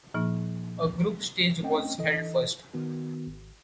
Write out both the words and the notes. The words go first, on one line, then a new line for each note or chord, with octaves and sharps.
A group stage was held first.
A#2 F3 A#3 D#4
A3 C4 C#4 D#5 G5
E3 A4 D#5
D#3 B3 F#4
G#1